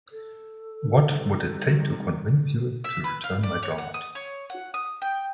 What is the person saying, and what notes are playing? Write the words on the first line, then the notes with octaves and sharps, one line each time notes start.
What would it take to convince you to return my doormat?
A4
C3 D#3 G3
E5
B4
F5
D5
C#5
F#5
D#6
C#5
F#5
D#6
G5